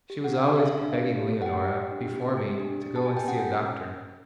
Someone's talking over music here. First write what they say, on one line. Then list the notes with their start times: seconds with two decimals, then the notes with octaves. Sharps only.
She was always begging Leonora, before me, to go and see a doctor.
0.10 G4
0.24 F#5
0.32 D4
0.56 D4 F5
0.66 E5
0.77 D4 F5
1.01 G4
1.24 G4
1.42 F#5
1.46 G4 G5
1.68 G4
1.91 D4
2.15 G4
2.37 G4
2.60 D4
2.82 G4
2.96 A5
3.05 G4 G#5
3.17 G5
3.28 C#4 F#5